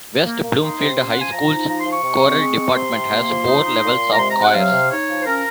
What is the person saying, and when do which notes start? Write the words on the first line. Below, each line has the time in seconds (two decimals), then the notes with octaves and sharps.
West Bloomfield High School's choral department has four levels of choirs.
0.25 A#3
0.43 A#3
0.61 D#4 C6
0.79 C3
0.96 C#4
1.07 F#5
1.15 F3
1.20 G#5
1.32 F3 A#5
1.51 D#4
1.68 F3 A#5
1.80 C6
1.86 F3
1.91 C#6
2.04 C3
2.22 C4
2.39 G#3
2.57 C4
2.75 C3 C6
2.94 C3
3.12 A#3
3.29 F3
3.47 D#4
3.65 D#4
3.83 A#2
4.01 G#3
4.12 A#5
4.18 C3 C6
4.30 A#5
4.37 C3
4.42 F#5
4.54 F#3 F5
4.72 C3
4.91 D#4 C#5
5.08 F3
5.20 C5
5.26 C#4 A#4